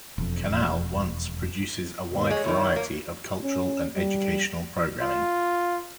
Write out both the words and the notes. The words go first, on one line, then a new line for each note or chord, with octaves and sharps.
Canal Once produces a wide variety of cultural and educational programming.
E1 F2
D#2 B2
G#3 C#5
E2 D#3
A#3
C#4
G3
F4